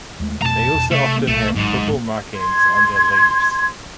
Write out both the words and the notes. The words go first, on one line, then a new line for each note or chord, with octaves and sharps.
They also often have purple markings on their leaves.
D#2 G#3 A3
F2 B2 A3 A5 A#5
E2 B2
C3 A3
B1 A3
D1 G#1 G#2 F#3
C6 G#6